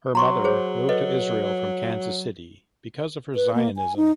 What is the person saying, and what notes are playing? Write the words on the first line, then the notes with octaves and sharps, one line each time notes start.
Her mother moved to Israel from Kansas City because of her Zionism.
F#3 A#5 C6 C#6
G#4 C5 C#5
A4 B4 D#5
B4
A#3
G#5
D#4